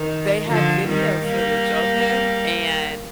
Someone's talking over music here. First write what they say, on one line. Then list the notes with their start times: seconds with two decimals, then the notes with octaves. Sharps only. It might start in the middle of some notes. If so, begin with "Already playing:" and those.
they had video footage of him, and
Already playing: D#3
0.47 D3 F3
0.88 D#3 G3
1.28 G3 A#3